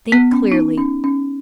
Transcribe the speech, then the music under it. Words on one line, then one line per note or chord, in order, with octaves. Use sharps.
Think clearly.
B3
C#4
D#4
C#4
C#4